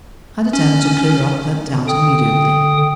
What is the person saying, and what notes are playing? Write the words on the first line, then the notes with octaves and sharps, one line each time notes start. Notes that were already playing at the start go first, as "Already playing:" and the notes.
I determined to clear up that doubt immediately.
C#4
D3 G5 D#6